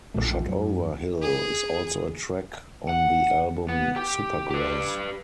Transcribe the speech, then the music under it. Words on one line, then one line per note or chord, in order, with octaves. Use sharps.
"Shotover Hill" is also a track on the album "Supergrass".
A#1 F#2 A#2 A3
F#2
G#4
F#5
B3
G4 G5
G4 B4